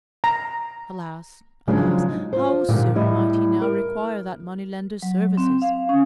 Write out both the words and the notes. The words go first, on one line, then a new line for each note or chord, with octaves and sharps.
Alas! alas! how soon might he now require that money-lender's services!
A#5
C#3 F3 F#3 G#3 D4
D#4
F4 C5
A#2 D3 D#3 G3 G#3
A2 G3 E4 D#5
A#4
F#3
C4
F5
C#4